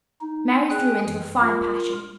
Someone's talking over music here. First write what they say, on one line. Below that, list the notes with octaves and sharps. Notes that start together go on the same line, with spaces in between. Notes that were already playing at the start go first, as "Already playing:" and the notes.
Mary flew into a fine passion.
D#4
G#4 G5 G#5 F#6
F#2 E3
F4 A#4